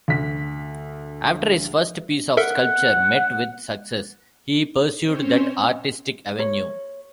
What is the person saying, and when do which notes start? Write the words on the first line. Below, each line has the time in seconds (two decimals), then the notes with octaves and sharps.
After his first piece of sculpture met with success, he pursued that artistic avenue.
0.08 D2 B6
2.37 A4 A#4 E5 F#5
5.00 C4 C#4 C5 C#5
6.39 C#5